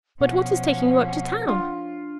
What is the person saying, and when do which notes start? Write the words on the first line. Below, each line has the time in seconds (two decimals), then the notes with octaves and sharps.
But what is taking you up to town?
0.20 B2 F3 C#4 F#5
1.49 D4 F4